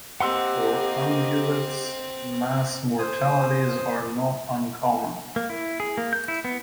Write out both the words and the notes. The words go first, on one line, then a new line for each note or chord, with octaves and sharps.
For ungulates mass mortalities are not uncommon.
A#3 C4 G4 D#5 F#5 C6 E6
C5 D#6
A#3
E4
G#4
A#3
G6
E4
B3